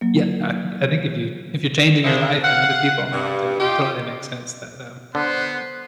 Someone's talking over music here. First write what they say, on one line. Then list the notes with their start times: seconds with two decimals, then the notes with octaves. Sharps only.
yeah, I think I think if you if you're changing your life and other people aren't, i it totally makes sense that that, um
0.01 F#3 A#3
2.04 A#3 C4 D4 E4 G#4
2.43 F5 F#5
3.12 G2
3.60 D#4 F4 G4
5.15 D3 B3 C5 F#6